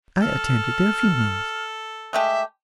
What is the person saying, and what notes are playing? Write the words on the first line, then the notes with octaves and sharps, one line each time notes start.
I attended their funerals.
A4 F6
G#3 A3 G4 E5